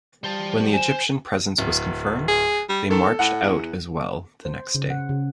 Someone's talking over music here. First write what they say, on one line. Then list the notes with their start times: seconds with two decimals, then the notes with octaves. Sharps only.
When the Egyptian presence was confirmed, they marched out as well the next day.
0.24 G3 C5 A5
0.74 G#5 E7
1.58 D1
2.28 G#4
2.69 G3
2.91 D#3 A4
3.19 A2 F#5
3.43 E2
4.45 C5
4.75 C#3
4.90 F#5
5.09 C#3